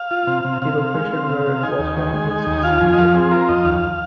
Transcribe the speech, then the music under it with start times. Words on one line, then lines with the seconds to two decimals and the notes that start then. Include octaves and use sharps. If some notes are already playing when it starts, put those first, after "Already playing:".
The location where it was found is disputed.
Already playing: F5
0.11 F4
0.27 C3
0.45 C3
0.62 C3 F5
0.78 C3
0.94 G#3
1.12 C4
1.29 C3
1.46 C3
1.63 D#4 G#5
1.79 D#2
1.97 D#3
2.14 G#3
2.31 D#4
2.47 D#2
2.63 F4 F5
2.81 F2 G#5
2.93 D#5
2.98 F3 F5
3.14 C4 G#4
3.31 F4 A#4
3.48 F2 D#5
3.65 D#2 F5